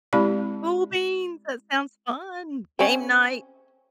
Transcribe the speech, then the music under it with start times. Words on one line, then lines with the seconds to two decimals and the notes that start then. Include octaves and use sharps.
Cool beans! That sounds fun. Game night!
0.13 G#3 C4 E4 G4 D5 B5
2.79 C4 C#4